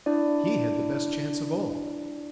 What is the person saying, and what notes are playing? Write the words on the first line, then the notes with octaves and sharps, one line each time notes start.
He had the best chance of all.
D4 E4 D5